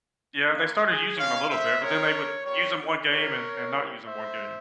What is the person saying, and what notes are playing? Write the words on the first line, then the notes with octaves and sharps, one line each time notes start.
Yeah, they started using him a little bit, but then they would use him one game and and not use him one game.
A#3 F4
G#4
G#3 C#4 F4 C#5 F5
C5 E5
G3 C4 F4 A#4 C#5
G3 C4 F4 A#4 C#5
A#3 E4 G4 A#4 C#5
G3 C4 E4 G4
C5 E5